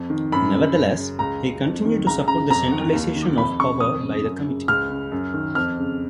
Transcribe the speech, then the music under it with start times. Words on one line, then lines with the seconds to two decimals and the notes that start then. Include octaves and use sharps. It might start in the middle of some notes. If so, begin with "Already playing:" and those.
Nevertheless, he continued to support the centralization of power by the Committee.
Already playing: F2
0.10 D#3
0.32 F#2 B5
0.54 C#3
0.75 F#2
0.97 C#3
1.19 C#2 A#5
1.41 C#3
1.63 F2
1.85 D#3
2.07 C#2 A#5
2.28 C#3 A#5
2.50 F2 A#5
2.73 D#3
2.93 D#2
3.16 D#3
3.38 F2 B5
3.59 C#3 C#6
3.80 F2 D#6
4.03 C#3
4.24 F#2
4.47 C#3
4.68 C#2 F6
4.90 C#3
5.12 F#2
5.34 D#3
5.55 F2 F6
5.78 C#3